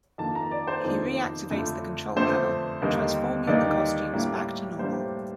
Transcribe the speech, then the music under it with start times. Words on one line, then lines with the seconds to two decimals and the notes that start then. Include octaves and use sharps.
He reactivates the control panel, transforming the costumes back to normal.
0.18 F2 D#3 A#3 D4 A5
0.35 A#5
0.51 D5
0.67 C5
0.84 F2 D#3 A#3 D4
1.50 F2 D3 A3 D4
2.16 F2 D3 A3 D4 C5
2.82 D#2 D3 G3 A#3 D#4
3.47 D#2 D3 G3 A#3 D#4 D5
4.13 A2 G3 A#3 D4
4.79 A2 G3 A#3 D4 C5